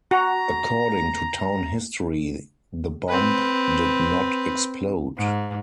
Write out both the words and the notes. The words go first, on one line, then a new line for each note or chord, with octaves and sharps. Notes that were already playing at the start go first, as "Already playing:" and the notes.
According to town history the bomb did not explode.
F#4 A#5
C4 B4
G#2